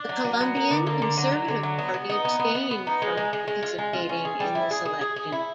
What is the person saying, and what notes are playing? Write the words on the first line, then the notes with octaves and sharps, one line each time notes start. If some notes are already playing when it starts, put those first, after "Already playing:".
The Colombian Conservative Party abstained from participating in this election.
Already playing: D4
F#3
F#3
B3
A#3
D3
A#3
D3
F#3
F#3
D3
F#3
B3
B3
D#4
B3
B3
B3
B3
D#4
G#3
G#3
G#3
G#3
F4
G#3
F4
C#4
G#4
G3
E4
G#4
G#4
G#4
G#4
E4